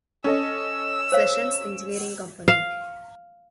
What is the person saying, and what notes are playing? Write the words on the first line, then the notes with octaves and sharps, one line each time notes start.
Sessions Engineering Company.
C#4 A4 D#5 E6
C5 C#5 F5
F5